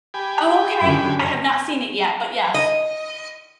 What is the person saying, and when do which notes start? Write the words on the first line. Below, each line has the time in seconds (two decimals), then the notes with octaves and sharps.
Oh, okay. I have not seen it yet, but yes.
0.14 G4 G#5 B5
0.82 F#2 D3
2.54 D#5